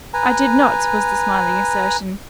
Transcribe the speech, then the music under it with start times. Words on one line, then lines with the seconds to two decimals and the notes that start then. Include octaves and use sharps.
"I did not," was the smiling assertion.
0.14 B4 G#5 A#5